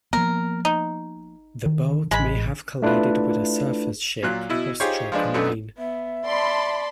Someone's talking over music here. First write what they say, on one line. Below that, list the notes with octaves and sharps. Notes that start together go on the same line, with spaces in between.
The boat may have collided with a surface ship or struck a mine.
F3 A#3 B3 A#4
D#4
D#3
A1 G#3 B5
A3 D4 E4 F4 B4
A#2 F#3 F4 F#6
B2 E4
D#4 F4 G4 G#4 C5 C#5
F3 G#3 D4 B4
F#2 A3 B3 D4 D#4
B3 E5
D5 A5 B5 C6